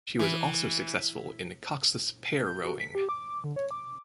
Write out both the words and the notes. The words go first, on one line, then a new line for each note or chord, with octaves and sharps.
She was also successful in coxless pair rowing.
E3
G6
F#4
B6
G4
D6
D3
C#5
D6